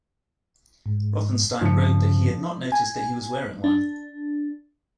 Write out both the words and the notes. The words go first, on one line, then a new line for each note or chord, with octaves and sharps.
Rothenstein wrote that he had not noticed that he was wearing one.
G#2
G2 C#3 F3 C#7
G#5
D4